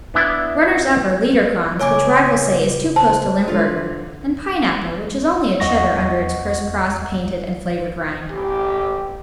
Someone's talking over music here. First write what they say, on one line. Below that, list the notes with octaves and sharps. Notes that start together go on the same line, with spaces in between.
Runners-up are Liederkranz, which rivals say is too close to Limburger, and Pineapple, which is only a Cheddar under its crisscrossed, painted and flavored rind.
B3 D4 E4
C#2 A#2 C#5 G#5 D6
C5 A5
D3 F4
E2 D#5 F#5 C#6 A#6
A1 G4